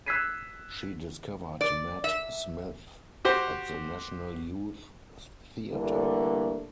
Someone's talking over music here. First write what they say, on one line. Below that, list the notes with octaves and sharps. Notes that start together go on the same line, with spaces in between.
She discovered Matt Smith at the National Youth Theatre.
E6 F#6 G#6 B6 C7 D#7
D5
E5
F#4 G4 C5
D3 E3 G3 A3 A#3 D4